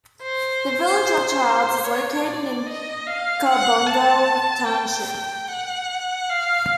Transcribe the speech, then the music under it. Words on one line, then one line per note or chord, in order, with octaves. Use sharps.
The village of Childs is located in Carbondale township.
C5
C#5
D5
D#5
F5
F#5
A5
G5
F#5
F5